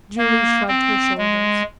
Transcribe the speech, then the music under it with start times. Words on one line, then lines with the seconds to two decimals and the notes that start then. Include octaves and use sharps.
Julie shrugged her shoulders.
0.18 A#3
0.68 C4
1.18 G#3